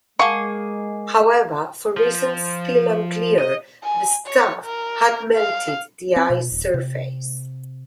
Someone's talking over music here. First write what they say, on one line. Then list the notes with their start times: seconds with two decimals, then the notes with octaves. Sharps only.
However, for reasons still unclear, the staff had melted the ice surface.
0.19 G#3 A#3 G#4 F5 F#5 A5 C#6
1.97 F3
3.38 D#5
3.83 G#5
4.27 C#5
4.65 A#4
5.34 F5
6.16 C4
6.30 B2
6.52 D#1
6.74 C3